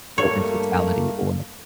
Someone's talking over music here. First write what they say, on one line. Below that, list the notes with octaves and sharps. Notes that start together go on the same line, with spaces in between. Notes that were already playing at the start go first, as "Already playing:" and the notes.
to in totality or
G2 G3 A3 A#3 C#5 A#5